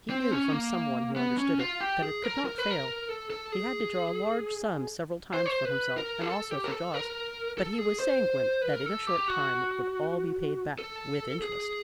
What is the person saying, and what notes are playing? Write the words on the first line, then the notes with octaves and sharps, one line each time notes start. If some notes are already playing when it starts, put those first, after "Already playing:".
He knew from some one who understood it, that it could not fail. He had to draw large sums several times for himself and also for Jost, but he was sanguine that in a short time it would all be paid back, with interest.
C4
C#4
A#3
B3
C#4
F4
G4
G#4
A#4
A#4
B4
A#4
A4
A4
G#4
C5
C#5
C5
B4
A#4
G#4
A4
G4
A#4
A4
A#4
A4
G#4
C5
B4
A#4
A4
G4
F#4
A4
G#4